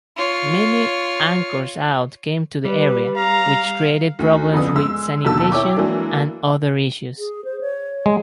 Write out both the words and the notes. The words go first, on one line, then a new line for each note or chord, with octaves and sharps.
Many anchor-outs came to the area, which created problems with sanitation and other issues.
F4 C#5
G3 B4
F5 A#5
D2
F2 C#3 B3 D4 B4 D#6
G#3 E6
D#2 B2 D3 A5 E6
E4 C#5 G5 D6
E3 F#3 G#3 A#3 D4
G#4
C5
C#5
G#3